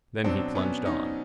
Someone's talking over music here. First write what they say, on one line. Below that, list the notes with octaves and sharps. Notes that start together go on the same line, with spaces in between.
Then he plunged on.
B2 F#3 C4 D4
B3 C#4
C#4 D#4